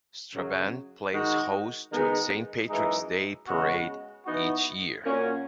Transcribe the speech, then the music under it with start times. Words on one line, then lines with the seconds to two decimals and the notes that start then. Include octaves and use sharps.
Strabane plays host to a Saint Patrick's Day Parade each year.
0.33 F#2 C#3 F#3
1.12 D#3 G#3 D#4 F#4
1.90 D#3 G#3 B3 D#4 G#4
2.68 F#2 E3 G#3 D#4
3.47 C#3 G#3 B3 F#4
4.25 E3 B3 D#4 F#4
5.04 A#2 A#3 C#4 F#4